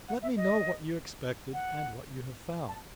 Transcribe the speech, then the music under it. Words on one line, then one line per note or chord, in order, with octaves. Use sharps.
Let me know what you expected, and what you have found.
F#5
E5
D#5
F#5
A5